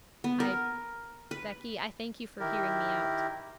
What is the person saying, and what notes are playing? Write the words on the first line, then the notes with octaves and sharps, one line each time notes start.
'I--Becky, I thank you for hearing me out.'
B3
A#4
B4
D#3 E4 G4 A#4